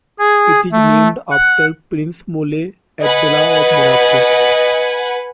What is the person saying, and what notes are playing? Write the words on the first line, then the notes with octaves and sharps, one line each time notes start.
It is named after Prince Moulay Abdellah of Morocco.
G#4
A3
F#5
B4 D#5 F#5 G#5